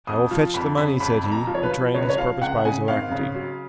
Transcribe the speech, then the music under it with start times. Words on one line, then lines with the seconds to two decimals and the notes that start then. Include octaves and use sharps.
"I will fetch the money," said he, betraying his purpose by his alacrity.
0.07 F2 D#6
0.31 F3
0.54 F2 B5
0.78 C#3 B5
1.00 F2 B5
1.24 F2
1.32 A#5
1.47 F3
1.55 C#5
1.63 B4
1.71 F3
1.94 C#2 C#5
2.02 B4
2.09 C#5
2.17 F3 F5
2.41 C#2 F#5
2.58 F#5
2.65 C#3 G#5
2.88 G#1 F5
3.11 C#3
3.34 F#3